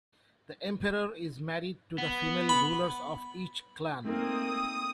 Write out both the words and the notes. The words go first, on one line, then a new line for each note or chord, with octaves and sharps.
The Emperor is married to the female rulers of each clan.
B3
B5
A3 A#3 C4 D#4 A#4 D#6